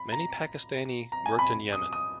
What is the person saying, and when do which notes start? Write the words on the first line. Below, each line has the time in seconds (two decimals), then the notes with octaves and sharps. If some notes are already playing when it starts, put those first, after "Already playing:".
Many Pakistani worked in Yemen.
Already playing: B5
0.12 A#5
1.12 A#5
1.26 G#5
1.39 B5
1.73 D#6
1.93 D#6